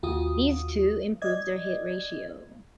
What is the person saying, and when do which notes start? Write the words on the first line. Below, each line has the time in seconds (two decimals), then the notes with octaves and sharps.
These two improved their hit ratio.
0.03 D#2 F4 F#4 D#6
1.22 D5 D#5 G#6